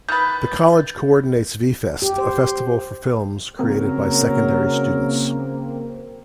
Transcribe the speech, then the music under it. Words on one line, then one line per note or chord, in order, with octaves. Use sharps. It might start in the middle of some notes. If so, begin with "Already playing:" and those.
The college coordinates V-Fest, a festival for films created by secondary students.
D#3 B4 G6 A6
G4
C5
C#3 F#3 A#3 C4 A#4